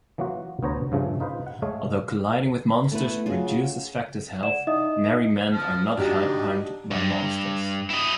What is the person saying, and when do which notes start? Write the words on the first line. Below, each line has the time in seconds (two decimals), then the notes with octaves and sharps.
Although colliding with monsters reduces Factor's health, Merry Men are not harmed by monsters.
0.18 E3 F#3 A#3 F4 F#4
0.63 D2 B3 C5 C#5 A#5
0.92 G2 C#3 F3 A3
1.20 D#4 F4 B4 C5
1.47 F#5
1.62 G#3 A3 C#5 F5 G#5
2.92 A3 B3 E4 B4
3.26 C#3 F4 F#4
4.43 D5 F#5 E7
4.67 D#4 E4 D#5 E5 D#6
5.51 F3 A5 F6
5.98 D4 D#4 F#4 G4
6.91 G2
7.90 E4 D#5